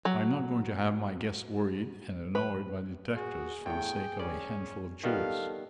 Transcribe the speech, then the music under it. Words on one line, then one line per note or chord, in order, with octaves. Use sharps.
I am not going to have my guests worried and annoyed by detectives for the sake of a handful of jewels.
F#3
B4
F#4 G#4
E2 A2 G5
C#4 D5
D#3 G3 B3 A4 F5